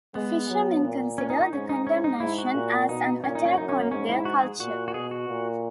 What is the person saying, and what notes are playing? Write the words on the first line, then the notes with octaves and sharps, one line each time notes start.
The fishermen consider the condemnation as an attack on their culture.
G#3 B3
F#3
A#2
C#4
D#4
D#4
G#2 C#4
D#4
C#4
D#4
G#2 E4
F#4
A#2
B2 D#4
A#2 C#4
D#4
C#4
F#2 D#4
C#4
A#3
G#2 C#4
E4
F#4
G#4
A#2 F#4
F#4
B2 G#4
F#4
A#2